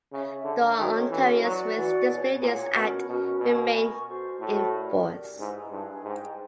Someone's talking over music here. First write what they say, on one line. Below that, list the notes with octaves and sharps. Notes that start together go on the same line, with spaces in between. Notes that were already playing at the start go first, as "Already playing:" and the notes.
The Ontarians with Disabilities Act remains in force.
C#3 G#4 C#5 E5
D3 G#4 C#5 E5
D#3 C#4 F#4 A4 C#5
E3 C#4 F#4 A4 C#5
F#3 F#4 B4 D5 F#5
E3 F#4 B4 D5 F#5
B2 G#4 C#5 F#5
A#2 G#4 C#5 F#5
B2 C#4 F#4 A#4
B2 C#4 F#4 A#4
B2 A#4 D#5 G#5 C#6
A#4 D#5 G#5 C#6
F#4 A4 C5
A2 F#4 A4 C5
G4 A#4 D5
G4 A#4 D5
G#2 E4 G#4 B4
G2 E4 G#4 B4
G#2 C5 D#5 G5